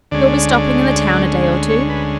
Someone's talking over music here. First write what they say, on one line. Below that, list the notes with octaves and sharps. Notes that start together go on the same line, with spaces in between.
You'll be stopping in the town a day or two?
D2 D3 G#3 C#4 D5
C#5
B4